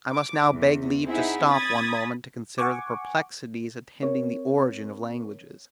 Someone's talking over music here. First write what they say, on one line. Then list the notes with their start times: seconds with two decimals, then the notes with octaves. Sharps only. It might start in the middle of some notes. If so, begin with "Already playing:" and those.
I must now beg leave to stop one moment to consider the perplexities attending the origin of languages.
0.12 D6
0.55 E2
1.07 C4 D#4 E4 G#4 E5 F#5
1.50 B5 D#6 G#6 A6 B6
2.58 F#5 G#5 C#6 D6
4.02 C4 A#4 C#5